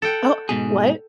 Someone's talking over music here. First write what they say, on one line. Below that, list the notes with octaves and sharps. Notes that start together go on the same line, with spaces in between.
Oh what?
A4 F#5 G5
G#2 B2 G#4